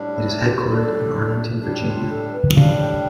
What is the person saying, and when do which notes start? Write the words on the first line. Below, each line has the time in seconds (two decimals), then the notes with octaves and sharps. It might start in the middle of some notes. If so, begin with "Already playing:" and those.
It is headquartered in Arlington, Virginia.
Already playing: A2 G3 D4
0.08 E4
0.38 G4
0.69 A2 G3 D4 A4
1.62 A2 G3 D4 G4
1.86 F4
2.09 A4
2.32 B4
2.55 A2 G3 D4 F5
2.79 G5